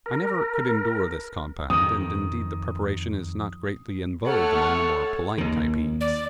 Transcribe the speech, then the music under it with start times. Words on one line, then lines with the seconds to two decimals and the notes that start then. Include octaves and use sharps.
I never could endure this compound, and indeed the preparation is not greatly in vogue among the more polite Typees.
0.06 A#4
1.70 F2 D#3 D#6
4.26 A3 A4 C#5 F#5 F6
5.38 D#2 D#3
6.01 D5